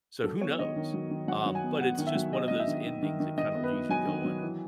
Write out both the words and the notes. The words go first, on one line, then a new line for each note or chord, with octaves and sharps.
So, who knows? Um, but it's just one of those endings that kinda leaves you going,
F#3 A4
B3 C#5
D#3 D#5
D#3
F#3
D#3
F#3 F#5
F#3
G#5
B3
B3 F#5
D#3
E5
F#3
B3 D#5
F#3 D#5
E5
D#3
D#3
D#3
D#3
D#3 D#5
B3
B4
D#3
F#3 G#5
D#3
F#3
E3